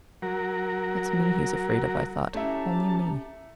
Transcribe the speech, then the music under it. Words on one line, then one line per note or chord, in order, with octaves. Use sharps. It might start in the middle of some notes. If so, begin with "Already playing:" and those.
It's me he's afraid of, I thought, only me.
F#3 A#4
A3 C#4 E4 G4 E5 A5 A#5